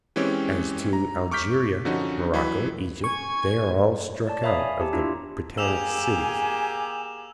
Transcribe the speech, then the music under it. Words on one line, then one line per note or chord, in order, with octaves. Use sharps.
"As to Algeria, Morocco, Egypt--they are all struck out of the Britannic cities."
E3 G#3 C4 C#4 G4 C#5
A#5
C#6 D6 F6 G6 B6
D3 F3 C#4 D#4 F#4
E3 F#3 B5
G#5 C#6 G#6
C#5 D5 A5
C#5 E5 F5 A#5 B5 D#6
G#5
G4 A5
D4 E4 F4 E5 A#5
A#3 G4 G#4 G#5 E6 E7 F7